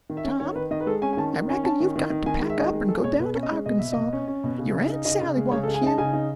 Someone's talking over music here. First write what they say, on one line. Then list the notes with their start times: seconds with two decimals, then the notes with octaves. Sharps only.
"Tom, I reckon you've got to pack up and go down to Arkansaw--your aunt Sally wants you."
0.10 D#3
0.17 E5
0.24 C#4
0.40 D#3 C#5
0.55 D#3 B4
0.71 D#3 D#5
0.81 B4
0.86 G#3 A4
1.02 C#4 G#5
1.13 G#5
1.17 D#3 A5
1.34 D#3
1.49 C#4 G#5
1.64 C#4 A5
1.80 D#3
1.96 D#3
2.10 D#3
2.26 D#3 G#5
2.42 G#3
2.50 E5
2.58 D#3 D#5
2.73 G#3
2.89 G#3 A4
3.04 B2 C#5
3.19 B2 B4
3.35 C#4
3.43 D#5
3.51 G#3
3.66 B2 D#5
3.79 B2 E5
3.92 B2 D#5
4.13 C#4
4.28 C#4
4.44 B2
4.58 C#3
4.75 C#3
4.90 D#4
5.05 C#3 D#5
5.21 C#3
5.37 G#3
5.51 C#3 C#5
5.63 A4
5.68 G#3
5.74 G#5
5.83 D#4 A5
5.98 C#3 G#5
6.13 D#4